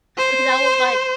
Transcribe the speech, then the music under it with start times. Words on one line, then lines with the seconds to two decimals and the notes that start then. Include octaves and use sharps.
because I was like
0.18 C5